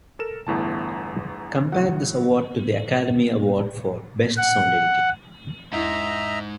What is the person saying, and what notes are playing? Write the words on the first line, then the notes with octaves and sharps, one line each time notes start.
Compare this award to the Academy Award for Best Sound Editing.
A4 A#4 E7
G1 E2 A2 A5
A2 F#3 F#5
F#5
E2 G#2 E4 D#5 E5 A#5